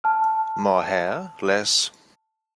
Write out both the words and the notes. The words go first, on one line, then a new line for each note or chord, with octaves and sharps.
More hair, less...
A5 F6